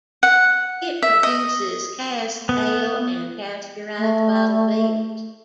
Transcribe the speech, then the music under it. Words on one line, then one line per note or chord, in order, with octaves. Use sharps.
It produces cask ale and pasteurised bottled beers.
F#5
E5
D#5
B3
A3